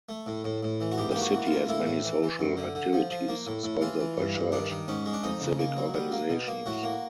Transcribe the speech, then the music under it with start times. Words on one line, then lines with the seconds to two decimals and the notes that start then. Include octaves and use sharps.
The city has many social activities sponsored by church and civic organizations.
0.09 A3
0.26 A2
0.44 A2
0.63 A2
0.81 E3
0.92 F#4
0.98 G#2 G4
1.11 A#3 G4
1.21 F#4
1.33 E3
1.45 F4
1.52 A#3
1.69 A2 E4
1.86 A2
2.04 E3
2.22 E3
2.39 F#2
2.57 D3
2.75 D3
2.93 F3
3.11 F3
3.28 A#3
3.47 A2
3.64 A2
3.81 E3 F4
3.99 E3
4.17 G2
4.34 G2
4.52 D#3 D4
4.70 D#3
4.88 G#2 C#4
5.06 G#3
5.13 D4
5.23 F2 D#4
5.41 C#3
5.59 A#3
5.77 F#3
5.94 G3
6.12 A#3
6.30 B2
6.47 A#3
6.66 A2 F#4
6.83 A#3